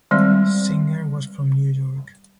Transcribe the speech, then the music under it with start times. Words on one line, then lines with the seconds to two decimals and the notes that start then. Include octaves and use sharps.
Singer was from New York.
0.11 D#3 G3 G#3 C4 D5